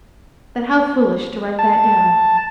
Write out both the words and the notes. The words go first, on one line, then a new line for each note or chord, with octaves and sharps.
But how foolish to write that down!
A5